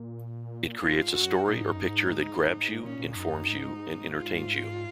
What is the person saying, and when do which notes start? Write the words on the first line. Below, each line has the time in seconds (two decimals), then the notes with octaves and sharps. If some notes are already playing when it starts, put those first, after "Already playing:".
It creates a story or picture that grabs you, informs you and entertains you.
Already playing: A#2
0.81 A#2 F4
0.97 G#2
1.14 F#2 F#4
1.48 A#2 D#4
1.61 G#2
1.75 F#2
1.89 G#2
2.81 A#2 C#4
2.99 A#2
3.15 F#2 D#4
3.33 F#2
3.48 G#2
4.16 F4